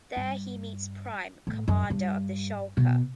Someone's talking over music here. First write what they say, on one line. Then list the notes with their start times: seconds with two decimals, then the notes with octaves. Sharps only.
There he meets Prime, commander of the Shalka.
0.16 G2
1.47 A2
1.68 F#2
1.90 G2
2.77 B2